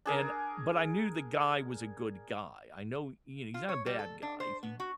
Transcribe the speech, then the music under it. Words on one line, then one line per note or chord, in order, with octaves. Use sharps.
and, but I knew the guy was a good guy, I know, you know, he's not a bad guy, he
D4 G#4 A#4
F4
C#5
G3
A4
D4
C5
B3
F#4